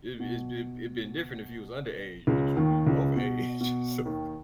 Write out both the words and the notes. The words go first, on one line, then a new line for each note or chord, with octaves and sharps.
it it's been it'd been different if he was underage, but you you overage, so
B2
C#2 C#3
D#2 D#3
C#2 C#3
B2
B2
D#2 D#3